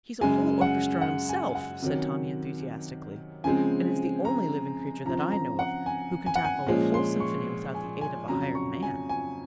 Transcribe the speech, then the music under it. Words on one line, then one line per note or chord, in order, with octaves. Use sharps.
"He's a whole orchestra in himself," said Tommy enthusiastically, "and is the only living creature that I know of who can tackle a whole symphony without the aid of a hired man."
F#2 C#3 G#3 G#5
F#5
F#5
G#5
F#5
C3 D#3 F#3 C#4
C#3 F3 G#3 C4 G#5
A#5
C#3 F3 C4 A#5
A#5
F#5
G#5
G#5
F#5
G#5
A#2 F3 G#3 C#4
C6
C#6
G#5
G#5
F2 C#3 F#3 A#5
C#6
G#5
G#5